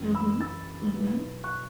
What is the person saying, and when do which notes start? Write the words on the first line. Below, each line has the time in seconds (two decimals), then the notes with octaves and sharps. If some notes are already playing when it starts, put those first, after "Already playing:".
Mhm, mhm.
Already playing: F#2 E3 C#4
0.15 B5 E6
0.41 E6 A6
0.92 B1 B2 F#3 B3 E4
1.44 C#6 F#6